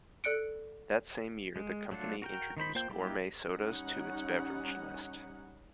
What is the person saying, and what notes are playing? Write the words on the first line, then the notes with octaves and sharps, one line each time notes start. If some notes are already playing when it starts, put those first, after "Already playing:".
That same year, the company introduced gourmet sodas to its beverage list.
A4 D5 F#6 C#7 D7
G#3
F#3 A3 D4 F4 F#5
F#4 A#4 G5
D#3 D#4 C5 B5
A#3 F4 C5 G5 G6
G3 A#3 D#4 E4 G4
G3 C#4 D#4 F#5